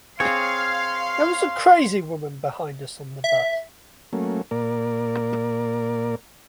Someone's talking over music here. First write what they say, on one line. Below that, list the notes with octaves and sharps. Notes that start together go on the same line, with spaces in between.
There was a crazy woman behind us on the bus.
C4 G#4 C#5 F5 C6
E5
F#3 A3 A#3 C#4
A#2 A#3 A#4 D5